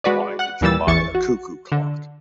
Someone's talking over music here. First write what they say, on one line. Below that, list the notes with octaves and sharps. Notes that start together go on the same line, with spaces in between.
Why did you buy a cuckoo clock?
G#3 F#4 B4 D5
F#5 F#6
D#2 A#2 E3 G3 E6 A6
A1 E2 E3 C#6 A6 C#7
F#4
D3